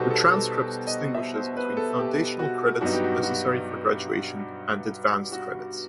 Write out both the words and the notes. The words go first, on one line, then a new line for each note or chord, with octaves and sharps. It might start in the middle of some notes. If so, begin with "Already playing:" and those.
The transcript distinguishes between "foundational credits" necessary for graduation and "advanced credits".
Already playing: B2 G3 B3 D#4 F#4 G4 A4 C5
A4
A4
D#5
E5
C5
B4
A4
G4
F#4
G2 F#3 B3 D#4 F#4
G4
F#4
F#4
F#4